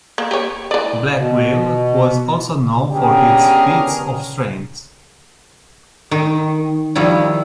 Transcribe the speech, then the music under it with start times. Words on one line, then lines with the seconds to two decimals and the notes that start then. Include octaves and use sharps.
Blackwell was also known for his feats of strength.
0.18 A#3
0.31 G4 C#5
0.71 E3 D5
1.18 B2
2.92 B3 C#4 D4 G4 G#4 A#4
6.11 D#3
6.95 D#3 F3 G3 E4